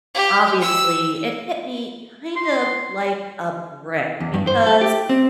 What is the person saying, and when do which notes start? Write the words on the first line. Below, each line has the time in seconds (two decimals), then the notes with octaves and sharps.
obviously, it hit me, kind of, like, a brick because
0.15 G4
0.61 E6
2.36 C6
4.20 E2
4.34 G2
4.47 C5
4.66 A4
4.81 G4
5.09 C4